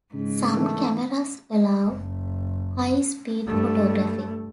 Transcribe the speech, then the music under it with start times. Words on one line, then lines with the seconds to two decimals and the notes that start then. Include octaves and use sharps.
Some cameras allow high-speed photography.
0.14 G#2 C#3
0.53 D#3 E3 A3
1.88 F#1
3.47 G2 A3